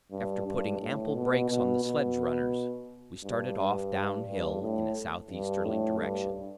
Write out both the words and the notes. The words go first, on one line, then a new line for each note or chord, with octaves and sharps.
After putting ample brakes on the sledge-runners, we started off downhill in a south-easterly direction.
G2
G2
A2
B2
B2
B2
G2
G2
G2
A2
G2
A2
G2